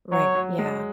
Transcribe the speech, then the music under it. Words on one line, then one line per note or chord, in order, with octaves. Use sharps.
Right, yeah.
F#3 C#5
F#3
G#3